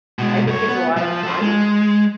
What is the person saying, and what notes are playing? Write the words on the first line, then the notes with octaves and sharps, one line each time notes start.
I think it's a lotta fun
B2 G#3
G2 C#5
B3
F3
A4 C5
G#3